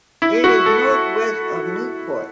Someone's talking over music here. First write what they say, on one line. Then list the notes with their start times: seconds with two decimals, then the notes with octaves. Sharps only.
It is north west of Newport.
0.22 E4
0.44 F#4
0.66 A4